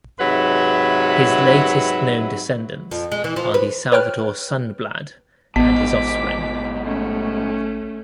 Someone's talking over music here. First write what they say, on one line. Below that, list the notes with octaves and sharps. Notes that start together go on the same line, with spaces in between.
His latest known descendants are the Salvador Sundblad and his offspring.
G#2 C3 F#3 B4 E5 B5
F2
G#3
E3
F3
B4
B4 C#5 G5 F6 F#6
A1 G#2 B2 B3 D6 B6
A3 C#4